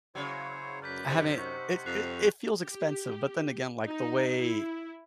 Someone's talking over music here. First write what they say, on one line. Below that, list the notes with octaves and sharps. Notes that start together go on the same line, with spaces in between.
I haven't it it it feels expensive, but then again, like, the way
C#3 F#3 E4 C5 C#5
F#2 B4 D5 F6 G6 B6
C3 D#4 C5
F#5 C#6
F2 F#6 C7 F7
G4
D#4
E4